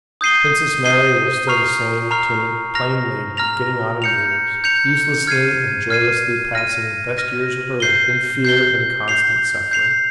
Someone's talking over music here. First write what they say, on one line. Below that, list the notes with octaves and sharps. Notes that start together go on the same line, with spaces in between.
Princess Mary was still the same timid, plain maiden getting on in years, uselessly and joylessly passing the best years of her life in fear and constant suffering.
D#6 G6 C7 D#7 G7
D#6 G6 C7 D#7 G7
A#5 C#6 F6 C7 F7
A#5 C#6 F6 C7 F7
A#5 F6 A#6 F7
A#5 F6 A#6 F7
G6 C#7 F7
G6 C#7 F7
F6 G#6 C7 D#7
F6 G#6 C7 D#7
F6 A#6 D#7
F6 A#6 D#7
G6 C7 G7
G6 C7 G7
G6 C7 F7
G6 C7 F7